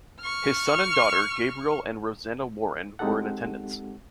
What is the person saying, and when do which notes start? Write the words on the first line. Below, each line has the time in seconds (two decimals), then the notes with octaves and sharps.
His son and daughter, Gabriel and Rosanna Warren, were in attendance.
0.21 C#6 F6
2.99 G#3 C4 D#4 G4 A4 F#5